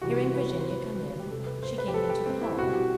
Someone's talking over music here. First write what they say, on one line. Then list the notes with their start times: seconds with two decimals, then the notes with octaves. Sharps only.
Hearing Virginia come in, she came into the hall.
0.02 C3 E3 G3 F#4
0.34 B4
0.50 B4
0.60 C5
0.70 B4
1.20 G4
1.30 C3 G3 A4
1.47 B4
1.63 C5
1.78 B4
1.88 G4
1.94 A4
2.09 G4
2.26 C4
2.42 E4
2.57 B2 G3 F#4
2.73 G4